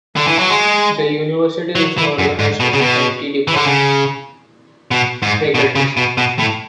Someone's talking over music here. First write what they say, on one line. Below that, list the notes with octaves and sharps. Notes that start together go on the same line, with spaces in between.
The university is organized in twenty different faculties.
D3
E3
F#3
G#3
F#3
E3
F#2
G#2
B2
C#3
B2
E3
D3
C#3
B2
G#2
B2
C#3
B2
B2
A2